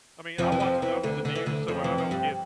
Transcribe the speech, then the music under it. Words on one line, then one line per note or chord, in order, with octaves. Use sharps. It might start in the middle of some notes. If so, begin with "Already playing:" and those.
I mean, I watch enough of the news so I don't get
F2 F3
E3
F2 F3
E2 E3
D2 D3
D3
E3
D2 D3
F2 F3
E3
F3
G2 G3